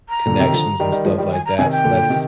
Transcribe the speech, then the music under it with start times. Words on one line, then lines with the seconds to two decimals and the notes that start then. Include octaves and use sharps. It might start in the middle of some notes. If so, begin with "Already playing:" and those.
connections and stuff like that. So, that's
0.09 A#5
0.27 A#2 D3
0.40 C3 D#3
0.53 D3 F3
0.80 D#3 G3
0.92 D#3 G3
1.05 F3 G#3
1.18 D#3 G3
1.32 G#5
1.45 A#5
1.58 C3 D#3 G#5
1.72 G5
1.84 A#2 D3
2.10 C3 D#3